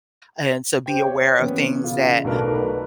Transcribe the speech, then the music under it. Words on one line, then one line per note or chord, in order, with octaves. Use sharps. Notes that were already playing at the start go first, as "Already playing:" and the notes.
and to be aware of things that
G4 C5 G5
C#5
E3 B3 C#4
C#3 F4
B1 A3 D4 F#4 A#4 B4
B4